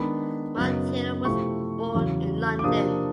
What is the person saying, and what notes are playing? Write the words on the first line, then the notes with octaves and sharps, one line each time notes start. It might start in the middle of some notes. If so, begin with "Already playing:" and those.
Monteiro was born in London.
Already playing: D#3 G#3 B3 D4 B5
F#2 C#3 F#3 B3 D#4
C3 F3 A3 C4 E4 C#6
E2 C#3 F#3
D6
C3 F3 A#3 D4 D#6